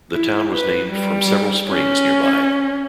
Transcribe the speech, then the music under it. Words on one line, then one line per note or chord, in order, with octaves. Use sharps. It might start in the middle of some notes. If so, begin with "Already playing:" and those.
The town was named from several springs nearby.
E4
B4
G3
C#4